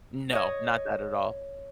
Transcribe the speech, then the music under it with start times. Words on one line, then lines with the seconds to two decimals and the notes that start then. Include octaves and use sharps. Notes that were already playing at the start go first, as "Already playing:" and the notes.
No. Not that at all.
0.33 C#5 D#5